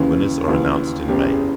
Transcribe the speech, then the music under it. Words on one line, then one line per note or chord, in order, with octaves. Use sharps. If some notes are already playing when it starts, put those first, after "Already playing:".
Winners are announced in May.
Already playing: D#2 C#3 E3
D#2 C#3 E3
F#1 E2 C#3 E3 G4
G#4